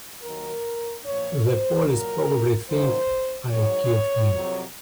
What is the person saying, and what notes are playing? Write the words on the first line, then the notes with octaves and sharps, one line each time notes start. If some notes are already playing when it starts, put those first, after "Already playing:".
The police probably think I killed him.
D#2 D#3 F#3 A#4
A#2 F3 C#5
C5
A#2 F#3 A#4
D#2 D#3 F#3 C5
G#2 F#3 C#5
F2 C3 F#3